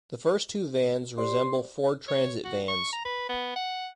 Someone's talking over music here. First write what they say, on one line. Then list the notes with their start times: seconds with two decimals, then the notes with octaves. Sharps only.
The first two vans resemble Ford Transit Vans.
1.18 G4 C5 D5 C6
2.08 C#5
2.44 F#4
2.68 C#6
2.93 A#5
3.05 B4
3.29 B3
3.56 F#5